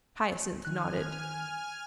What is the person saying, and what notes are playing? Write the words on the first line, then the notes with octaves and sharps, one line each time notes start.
Hyacinth nodded.
D#3 G#5 F6 F#6